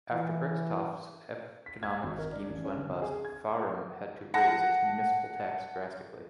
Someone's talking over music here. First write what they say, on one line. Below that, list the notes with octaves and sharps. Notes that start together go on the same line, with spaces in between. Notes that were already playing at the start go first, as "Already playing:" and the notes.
After Brixtofte's economic schemes went bust, Farum had to raise its municipal tax drastically.
E3
B6
G#6
G#1
A#4
D4
A1
C#4
D3
C4
G#4
G#6
F#5 A5 A#6